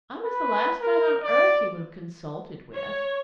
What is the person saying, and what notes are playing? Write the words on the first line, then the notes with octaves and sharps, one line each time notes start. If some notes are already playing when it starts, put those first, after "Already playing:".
I was the last man on earth he would have consulted with.
B4
A#4
D5
C#5